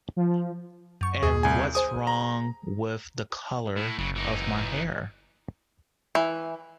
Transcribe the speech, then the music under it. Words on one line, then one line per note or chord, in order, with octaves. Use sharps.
And what's wrong with the colour of my hair?
F3
F#2 C#6
D#2 G#2 G#4
C2 G#5
G#4 C5 G#5 D#6
A#5
A2
F#1 C#3 F#3
E3 D#4
E3